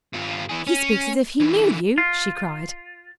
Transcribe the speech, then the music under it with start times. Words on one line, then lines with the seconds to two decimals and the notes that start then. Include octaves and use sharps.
"He speaks as if he knew you!" she cried.
0.14 G2 F4
0.50 E3 G#4
0.67 C#4
1.40 D3 E3
1.98 F4